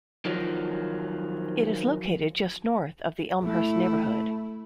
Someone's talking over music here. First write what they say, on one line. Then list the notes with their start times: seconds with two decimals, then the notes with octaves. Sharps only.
It is located just north of the Elmhurst neighborhood.
0.25 D#3 F3 F#3
3.42 A3 E4